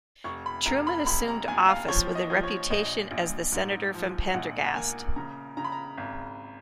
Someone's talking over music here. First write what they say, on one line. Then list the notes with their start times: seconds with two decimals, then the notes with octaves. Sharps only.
Truman assumed office with a reputation as the Senator from Pendergast.
0.24 F1 C#6
0.46 B5
0.66 F1 A#5
0.87 B5
1.06 F1 B5
1.28 A#5
1.48 D#2 G#5
1.69 F5
1.88 F3 C#5
2.15 D#5
2.30 F3
2.43 C#5
2.70 A#1 D#5
3.11 A#1
3.52 G#2
3.94 F3
4.34 A#1 F#5
4.66 F#5
4.75 A#3 G#5
5.16 C#3 A#5
5.57 C#3 A#5
5.64 B5
5.72 A#5
5.97 G#1